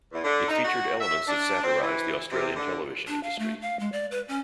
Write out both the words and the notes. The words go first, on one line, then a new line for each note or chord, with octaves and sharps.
It featured elements that satirised the Australian television industry.
E2
D3
D#4
F#4
E5
D4
C4
E3
C3
D3
D4
F5
A3
F5
G#3
D5
B4
C#4